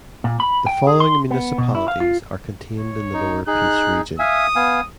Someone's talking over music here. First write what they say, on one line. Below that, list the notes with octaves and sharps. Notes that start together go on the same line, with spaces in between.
The following municipalities are contained in the Lower Peace Region.
A#2
B5
G5
G#4
C6
B3
B2
E4
F5
F4
C#5
D#4
D#4 G#4 F#6
E5 F5 G#5 D#6
B3 F5 G#5